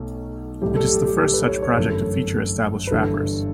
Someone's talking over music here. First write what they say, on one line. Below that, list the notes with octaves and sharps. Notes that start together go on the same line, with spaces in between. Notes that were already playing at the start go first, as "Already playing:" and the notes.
It is the first such project to feature established rappers.
Already playing: B1 B2 F#3 A3
B1 A2 G3 G4
A4
G4
G4
A4
B4
C#5
C#5
G1 F#2 E3 A3 A4
B4
G1 G2 E3 A4